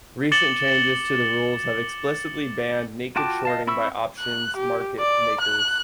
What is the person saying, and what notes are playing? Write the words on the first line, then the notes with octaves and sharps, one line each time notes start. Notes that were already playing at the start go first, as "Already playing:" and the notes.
Recent changes to the rules have explicitly banned naked shorting by options market makers.
D6 A6 C#7 E7 F#7 G7
F4 F#4 G5 A5 D6
D#5 F5 A5
C4 E4 B5 C#6 E6
F#6
G4
D5
F#6